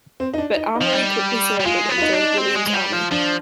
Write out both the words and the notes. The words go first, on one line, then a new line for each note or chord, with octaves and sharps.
But Amaury quickly surrendered and joined William's army.
C4
D#4
D4
D#4
D#4
F3
G3
G3
G#3 F4
B3
F4
D#4
D4
C4
G#3
G#3
G3
F3
F3 D4